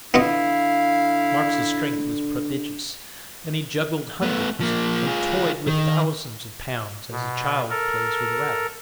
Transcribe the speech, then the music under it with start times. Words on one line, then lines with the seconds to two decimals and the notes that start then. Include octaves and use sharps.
Marx's strength was prodigious, and he juggled hundreds, and toyed with thousands, of pounds as a child plays with a rattle.
0.14 D3 B3 E4 F4 D#5 F5
4.22 A3 B3
4.60 F3 A#3
5.06 F4 G#4
5.67 D#3
7.11 B2
7.70 A4 A#4